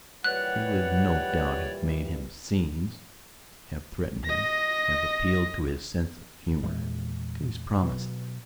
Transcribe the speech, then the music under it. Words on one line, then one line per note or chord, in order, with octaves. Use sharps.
She would no doubt have made him scenes, have threatened him, have appealed to his sense of humour, to his promises.
A#2 E3 G3 B4 C#5 D5 F#5 F#6
D#5 A#6
E2 A#2 E3 G#3
B2 F#3 B3